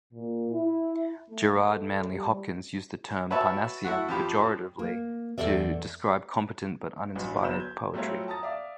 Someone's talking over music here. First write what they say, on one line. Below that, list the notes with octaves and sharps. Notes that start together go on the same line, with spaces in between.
Gerard Manley Hopkins used the term "Parnassian" pejoratively to describe competent but uninspired poetry.
A#2
E4
A3
A4
G3
F#4 B4 C#5 E5 A5
A3 E4 F#4 F#5
F2 F3 G4 B5
A#3
E2 E3 A4 D5 E5
A1 G2 F#4 B4
G1 F#3 B4 G6 E7
G6 G#6
F#3 G3 A3 C4 F4 C#5
A5 A#5 D#6 A6
D5 E5 F5 D6